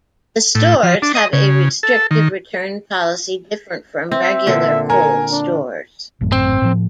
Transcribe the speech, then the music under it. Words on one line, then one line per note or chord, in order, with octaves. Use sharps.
The stores have a restrictive return policy different from regular Kohl's stores.
A2
F3
D4
D#5
C#3
A4
D#3
C4 E5
A#2 D3
A#4 G#5
D4
G#1 F#2 A2
C4
A2 F3